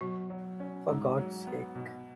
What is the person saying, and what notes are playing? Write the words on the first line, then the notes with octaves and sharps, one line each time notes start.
For God's sake.
B2 F#3 F#4
F#3
C#4
G#2 G#3 G#4
F#3
B3
B2